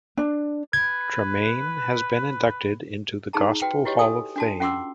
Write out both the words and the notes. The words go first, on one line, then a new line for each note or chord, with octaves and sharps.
Tramaine has been inducted into the Gospel Hall of Fame.
D4
B4 G#6
D#4 G#4 A5 A#5
F#4 B4 G5
E4 F#4 G4 B4 C#5 D#5
F#4 A4 G#5 D#6
D4 F#4 A5
C#4 F4 F#5 C6 D6 E6